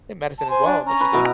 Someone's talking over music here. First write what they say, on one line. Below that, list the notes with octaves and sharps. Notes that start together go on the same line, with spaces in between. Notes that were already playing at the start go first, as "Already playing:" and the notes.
than medicine as well, don't you think?
A5
C5 G#5
D4
C#4 A#5
B4
B2 E4